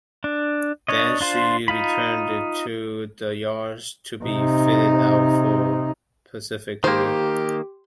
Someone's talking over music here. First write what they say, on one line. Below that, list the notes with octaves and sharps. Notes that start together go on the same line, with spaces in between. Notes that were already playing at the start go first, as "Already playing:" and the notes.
Then, she returned to the yards to be fitted out for Pacific duty.
D4
D4 C#5 D#5
D4 F4 C5
D#4 F4 B5
C3 D#4
D#3 A#3 G4 C5